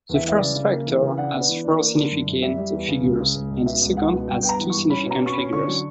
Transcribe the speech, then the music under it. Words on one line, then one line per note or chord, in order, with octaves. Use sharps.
The first factor has four significant figures and the second has two significant figures.
E2 E5
E3 E5
C#3 D5
C#3
A#3
E3
C#3
D4 F#5
B3
E3
D4
A#3
D3
F#2
F#2
G3 E5
G3
E2
C#3
C#2
C#3
C#2
C#2
B2 E5
C#2
C#2 F#5
B2
G2 G5
B3 G5
A#5
E3
C#6
G2
C#4 B5
B2
A#5
C#4 C#6
B5
C#4
D3 C#6
F#3